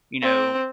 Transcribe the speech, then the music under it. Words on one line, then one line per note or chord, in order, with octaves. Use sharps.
you know
C4